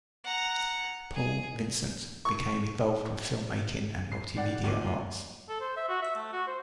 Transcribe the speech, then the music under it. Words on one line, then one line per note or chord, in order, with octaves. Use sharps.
Paul, Vincent became involved with film-making and multimedia arts.
F#5 A#5
G#4
C#6
C7
D#3 D5 F#5
D2 A#2 D6
A4
C5
E5
F#4
E5
A3
F#4
C5